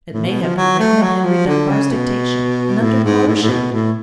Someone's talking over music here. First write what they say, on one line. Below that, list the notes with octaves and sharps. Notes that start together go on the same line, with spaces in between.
It may have been written at Henry Dunbar's dictation, and under coercion.
A2
B2
F3
F#3
A3
F#3
F3
D3
C#3
B2
A2
G#2
A2
G#2
A2
B2
A2